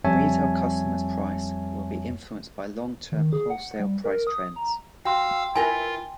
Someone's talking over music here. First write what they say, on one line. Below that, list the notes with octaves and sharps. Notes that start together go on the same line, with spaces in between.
Retail customers' price will be influenced by long-term wholesale price trends.
F2 G3 C#5 E5 G#5 A5
D#3
G#4
F#5
G3
A#4
D#6
A#5
F#4 F5 G5 C6 E6
E4 F4 A#4 B4 G#5